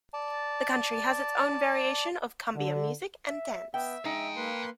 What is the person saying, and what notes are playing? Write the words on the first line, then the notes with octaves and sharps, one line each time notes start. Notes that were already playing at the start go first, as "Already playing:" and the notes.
The country has its own variation of cumbia music and dance.
D5 A5
D3
E5
B3 E5 G5
G#3 D#4 F5 G5
A#3 B4 C6